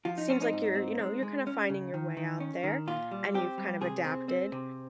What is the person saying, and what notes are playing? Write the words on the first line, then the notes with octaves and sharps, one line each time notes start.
seems like you're, you know, you're kinda finding your way out there, and you've kinda adapted.
F3 F4
D#4
C4 C#4
D#4
G#2
C4
G#3
G#3
C#4
C#3
D#3
D#3
C#4
D#3
A#2 F4
G3
C4 G4
G3
C3 G#4
C4
C4
C3